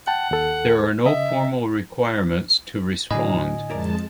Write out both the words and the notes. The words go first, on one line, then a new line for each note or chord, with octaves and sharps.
There are no formal requirements to respond.
F#5 G5 A5
D#2 A4
C#3 D#5 E5
A2 D3 F#3 D4 D#5 G#5 B5
F2 G#3 E4 A#4 D5 A5